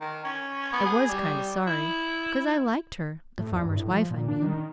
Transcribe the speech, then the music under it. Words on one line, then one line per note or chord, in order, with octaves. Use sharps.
I was kind of sorry, 'cause I liked her--the farmer's wife, I mean.
D#3
C#4
B3
G#4
G3
E4
A2
E2
G2
A2
F3
A#2
D4
D#3